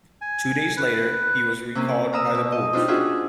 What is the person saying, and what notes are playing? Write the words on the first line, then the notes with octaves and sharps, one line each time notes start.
Two days later, he was recalled by the Bulls.
G#5
B4
C3 A#3 C4 C#4
F5 A#5 D#6 E6
B2
D#5
C4 D4 D#4 F4 G4
C#4 D4 F4 F#4 G#4 E5